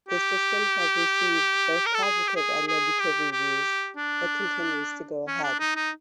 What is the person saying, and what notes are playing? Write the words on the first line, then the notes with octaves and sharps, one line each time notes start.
The system has received both positive and negative reviews but continues to go ahead.
G4
A#4
A4
G#4
G4
G#4
G#4
G4
G4
D4
C#4
D4
D#4
D#4